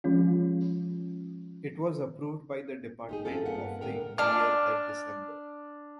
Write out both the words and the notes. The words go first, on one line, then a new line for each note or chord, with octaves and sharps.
It was approved by the Department of the Interior that December.
F3 G#3 C#4 F4
D#4 G4 G#4
F#2 A#2 C4 C#4 F4 A4
G2 A#3 B3 A#4 F#5
A2 D3 D4 A#4 G5 A#5
D4 F6